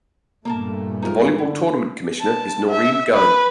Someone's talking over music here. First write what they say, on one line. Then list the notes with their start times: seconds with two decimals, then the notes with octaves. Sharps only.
The volleyball tournament commissioner is Noreen Go.
0.45 G2 A#2 A3 A#3 A#4 A5
1.02 G#2 D#4 F4 A#4
1.39 D3 E4
2.22 A5
2.69 E5
3.14 B4